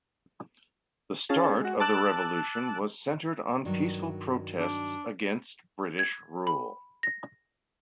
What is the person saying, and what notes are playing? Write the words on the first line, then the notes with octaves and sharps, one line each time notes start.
The start of the revolution was centered on peaceful protests against British rule.
C#4 F4 G#4 A5
G#3 F#4
A5 D6 E6 F#6
G2 D#3 F#3
D4
G#6
B5
A#6